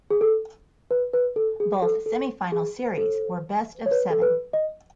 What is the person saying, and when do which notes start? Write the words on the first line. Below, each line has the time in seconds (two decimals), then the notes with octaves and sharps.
Both semifinal series were best-of-seven.
0.10 G#4
0.21 A4
0.91 B4
1.13 B4
1.36 A4
1.60 G#4
1.82 A4
2.06 A4
2.52 G#4
2.98 A4
3.86 C#5
3.91 B4
4.11 A4
4.22 B4
4.53 D#5